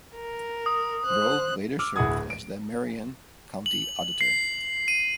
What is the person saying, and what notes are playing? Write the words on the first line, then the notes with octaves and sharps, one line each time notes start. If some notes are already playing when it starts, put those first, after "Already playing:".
Breaux later served as the Marion County Auditor.
A#4
D#6
C5 F#6
D6 E6 F6
D1 E4 G#4 F#5 D#6 G#6
D7
F#7
C7
D#7